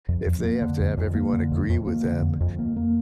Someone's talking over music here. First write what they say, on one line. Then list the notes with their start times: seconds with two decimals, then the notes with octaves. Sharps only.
If they have to have everyone agree with them
0.09 F2
0.26 F2
0.44 A#3
0.62 D3
0.80 F2
0.97 F2
1.15 A#3
1.33 D3
1.52 F2
1.69 F2
1.87 A#3
2.04 D3
2.22 F2
2.41 F2
2.58 A#3
2.76 A#3